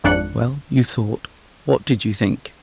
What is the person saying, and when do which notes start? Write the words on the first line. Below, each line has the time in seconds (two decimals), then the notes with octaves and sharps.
"Well, you thought--what did you think?"
0.04 G#1 F2 D4 F#6 C#7